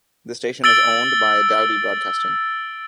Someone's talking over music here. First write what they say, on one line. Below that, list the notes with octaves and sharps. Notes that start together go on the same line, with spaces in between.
The station is owned by Dowdy Broadcasting.
E6 A6 D7 G7